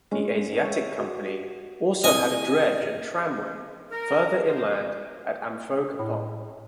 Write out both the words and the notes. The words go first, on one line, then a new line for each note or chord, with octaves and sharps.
The Asiatic Company also had a dredge and tramway further inland at Amphoe Kapong.
G#3 C#4
C#5 E5
F#4
C4 E4 D#5 G#5
A#4
C5
A2